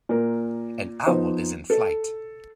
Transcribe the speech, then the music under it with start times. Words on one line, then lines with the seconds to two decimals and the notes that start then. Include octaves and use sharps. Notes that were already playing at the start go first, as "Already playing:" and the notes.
An owl is in flight.
0.09 A#2 A#4
1.07 F3 B3 D#4 C5
1.70 A4